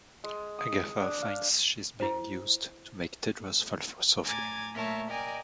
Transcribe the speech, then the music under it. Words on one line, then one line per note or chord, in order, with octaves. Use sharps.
Agatha finds she is being used to make Tedros fall for Sophie.
G#3
D#6
D4
F5
E4 C5
A2 G#5 A#5 D6 G#6 A6
A#2 A3 A#4 C#5 E5 A5
A#4 D5 D#5 G5 G#5